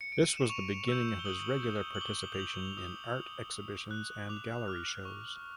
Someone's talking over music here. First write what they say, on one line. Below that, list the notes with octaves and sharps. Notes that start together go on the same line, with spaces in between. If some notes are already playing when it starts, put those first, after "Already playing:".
This was the beginning of his regular participation in art exhibitions and gallery shows.
C#7
D7
D#7
E7
C#6 F7
E6 G6
G7
D#6 F#7
G6
F#7
D6 G7
F7
G6 F#7
D#6
G6
D#6
F#6
D6 F7
F6
C#6